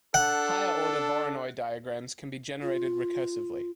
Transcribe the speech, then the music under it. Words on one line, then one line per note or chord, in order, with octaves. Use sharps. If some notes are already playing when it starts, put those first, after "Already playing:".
Higher-order Voronoi diagrams can be generated recursively.
D4 A4 F#5
F4